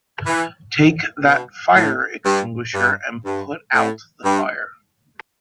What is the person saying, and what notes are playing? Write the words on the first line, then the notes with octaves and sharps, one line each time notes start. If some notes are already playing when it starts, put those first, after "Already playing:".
Take that fire extinguisher and put out the fire!
E3
B2
A2
G2
G2
G2
A2
G2